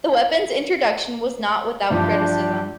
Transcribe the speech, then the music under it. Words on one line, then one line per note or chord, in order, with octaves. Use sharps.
The weapon's introduction was not without criticism.
G2 E3 F3 D4 G4